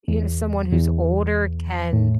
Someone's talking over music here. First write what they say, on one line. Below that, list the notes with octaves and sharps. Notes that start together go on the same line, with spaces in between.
you someone who's older can,
E2
E2
A2